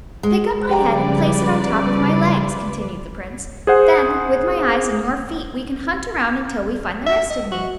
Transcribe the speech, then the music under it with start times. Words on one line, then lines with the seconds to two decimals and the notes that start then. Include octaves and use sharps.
"Pick up my head and place it on top of my legs," continued the Prince; "then, with my eyes and your feet, we can hunt around until we find the rest of me."
0.23 G#3
0.69 C#3 F3 G3 G4 B4 D5 G5 A#5
3.67 G#4 C5 F#5
7.07 E5
7.30 D#5
7.52 F#4